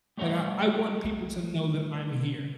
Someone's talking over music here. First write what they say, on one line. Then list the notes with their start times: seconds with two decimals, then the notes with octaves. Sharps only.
like, I I want people to know that I'm here.
0.17 G3 A3 C#5 D#5 F#5